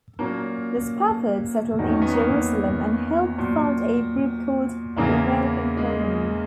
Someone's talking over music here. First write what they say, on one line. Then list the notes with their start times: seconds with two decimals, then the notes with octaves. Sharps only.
The Spaffords settled in Jerusalem and helped found a group called the American Colony.
0.19 A#2 F#3 A#3 C#4
1.79 E2 D#3 F#3 D#4
1.90 C#4
2.02 B3
2.14 A#3 C#4
3.38 A#2 F#3
4.97 E2 C#3 E3 A#3
5.77 G#3